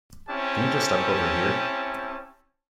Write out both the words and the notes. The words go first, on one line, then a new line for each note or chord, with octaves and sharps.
Can you just step over here?
C4 C#4 E4 G4 A5